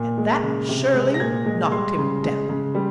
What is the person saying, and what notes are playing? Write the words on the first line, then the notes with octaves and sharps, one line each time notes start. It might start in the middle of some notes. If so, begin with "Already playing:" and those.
At that Shirley knocked him down.
Already playing: A#2
G#3
C#3
C3
G#3
A#6
A#2 G#6
G#3
G3 C6
C#3
G#3
C#3
G3